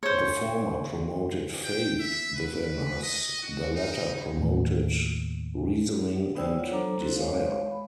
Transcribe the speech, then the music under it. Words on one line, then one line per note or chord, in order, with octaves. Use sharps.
The former promoted faith within us, the latter promoted reasoning and desire.
C5 C#5
G5
E5
B4
D#5
F#4
D#4
D#2 A2
B3 D#4 C5 D5 G5 E6
F4 C#5 F#5
F#3 D4 A4 C5 A#5 D6
C4 E4 F#4 A4 C5
G#3 C#5 F5
B5